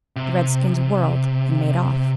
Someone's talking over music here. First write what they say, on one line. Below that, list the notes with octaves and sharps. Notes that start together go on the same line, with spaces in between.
The redskins whirled and made off.
C3